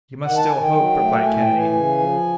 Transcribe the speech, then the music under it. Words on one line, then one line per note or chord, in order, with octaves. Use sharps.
"You must still hope," replied Kennedy.
D#3 F#5
A5
D#3 G#5
G5
F#3
A3
A2 G#5
G5
E3
G#5
C#3
F3